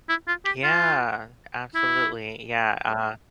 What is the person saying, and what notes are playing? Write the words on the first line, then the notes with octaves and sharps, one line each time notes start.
Yeah, absolutely, yeah, uh
E4
F4
G4
F4
E4